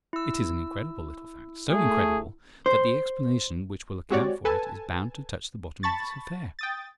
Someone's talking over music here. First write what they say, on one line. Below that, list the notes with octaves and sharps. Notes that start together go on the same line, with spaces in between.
It is an incredible little fact, so incredible that the explanation which will account for it is bound to touch the bottom of this affair.
E4 E6
A3 G#4
C5
G#3 C4 F#4 G4 C#5 D5
A4 B4 G#5 A5
A5 B5 C#6 A6
G5 D#6 A6